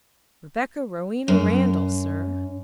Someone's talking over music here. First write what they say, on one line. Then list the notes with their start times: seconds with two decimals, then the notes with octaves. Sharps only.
"Rebecca Rowena Randall, sir."
1.28 F#2